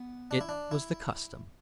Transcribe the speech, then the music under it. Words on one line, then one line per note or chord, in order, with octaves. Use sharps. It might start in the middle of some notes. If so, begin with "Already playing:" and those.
It was the custom.
Already playing: B3
D4
E4
D4
E4